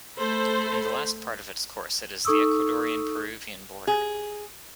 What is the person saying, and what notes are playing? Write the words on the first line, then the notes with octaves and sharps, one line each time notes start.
In the last part of its course it is the Ecuadorian-Peruvian border.
A3 A4 C5 B5
D#4 A4 C#6 D#6 E6
G#4